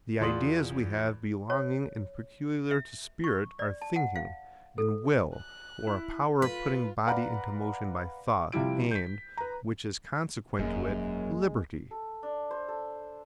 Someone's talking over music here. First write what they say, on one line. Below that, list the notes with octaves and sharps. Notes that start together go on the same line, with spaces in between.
The ideas we have belonging and PECULIAR TO SPIRIT, are THINKING, and WILL, or A POWER OF PUTTING BODY INTO MOTION BY THOUGHT, AND, WHICH IS CONSEQUENT TO IT, LIBERTY.
E2 F4 D5 C6 D#6 F#7
C#5
E5
C#6
D5
A5
F#5
F5
A4
F#6
E4
F4 B4 B5
B4 D5 F5 F#5 A#5 B5
C3 F3 G3 E4 D7
G6 B6
B4 A#5
E1 F#2 G#3 A#3
A4
D4
C5
A4